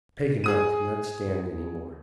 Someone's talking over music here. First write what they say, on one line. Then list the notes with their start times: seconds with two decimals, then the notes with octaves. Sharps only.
Paganel could not stand any more.
0.44 G#4 D#6 D#7